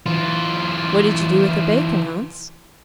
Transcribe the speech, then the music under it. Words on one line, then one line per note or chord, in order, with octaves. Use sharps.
'What did you do with the bacon, Hans?'
E3 F4